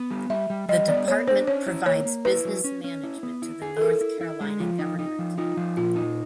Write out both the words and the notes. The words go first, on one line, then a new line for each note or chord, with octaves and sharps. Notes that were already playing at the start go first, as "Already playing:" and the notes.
The department provides business management to the North Carolina government.
Already playing: B3
G3
G3 E5
G3
G3 D#5
B3 D5
B3 C#5
D4 C5
C#4 C#5
E4
A#3 C#5
A#3
E4 B4
F#3
C#4
C#4
E4
B3
E4
G#4
A4
E4 A#4
E4
E4
G#3
F3 F4
D#4
D#4
F3
D#4 F4
F3
A#2 F4
D#4